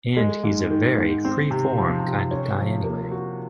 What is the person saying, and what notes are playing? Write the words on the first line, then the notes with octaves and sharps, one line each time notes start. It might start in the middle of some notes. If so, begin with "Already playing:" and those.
And he's a very free-form kind of guy anyway.
G#3
G#2
D#3
G#2
C4
C3
F3
C3
C#4
F3
A#3
F#4